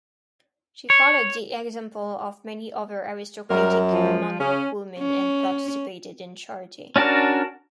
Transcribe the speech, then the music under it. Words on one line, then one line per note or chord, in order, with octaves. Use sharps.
She followed the example of many other aristocratic Mamluk women and participated in charity.
C#5
F#2 G3 A#4
F3
C#3 C#4
C#4
C#4 D4 F#4 A#4 A5